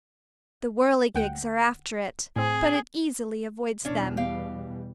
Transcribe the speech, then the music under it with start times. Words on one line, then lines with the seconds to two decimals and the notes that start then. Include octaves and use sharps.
The whirligigs are after it, but it easily avoids them.
1.15 D2 F#5 G5
2.36 A2 C4 G#4
3.85 E2 B2 G3 C#4 D4
4.17 G4 F5